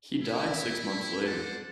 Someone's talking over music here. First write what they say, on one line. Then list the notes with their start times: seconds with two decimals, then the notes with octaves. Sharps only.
He died six months later.
0.24 E4
1.24 C5 D5 F#5 A5